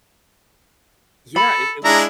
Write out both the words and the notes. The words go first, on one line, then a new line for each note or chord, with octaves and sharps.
Yeah. It it was
A4 B5
G#3 D4 E4 A#5